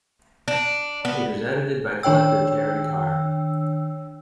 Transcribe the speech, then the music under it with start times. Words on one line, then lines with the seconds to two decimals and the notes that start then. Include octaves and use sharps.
It is edited by collector Terry Carr.
0.48 D4
1.05 B3
2.03 D#3 D4 C#5 G5 E6